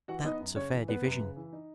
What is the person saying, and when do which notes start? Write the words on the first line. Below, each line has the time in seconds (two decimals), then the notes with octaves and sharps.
That's a fair division.
0.08 E3 F#4 F#5
0.24 B3 D#4 D#5
0.40 F#2
0.56 C#3 C#4 C#5
0.73 E3
0.88 B3 B4
1.05 F#2
1.21 C#3
1.36 E3
1.53 D#4